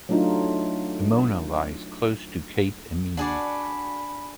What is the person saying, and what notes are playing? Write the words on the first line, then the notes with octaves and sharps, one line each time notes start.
Emona lies close to Cape Emine.
F#3 A3 D4 D#4 F4
D4 F#4 G#4 D5 B5